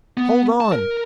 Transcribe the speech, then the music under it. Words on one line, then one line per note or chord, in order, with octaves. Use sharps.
"Hold on!"
B3
A5
A#4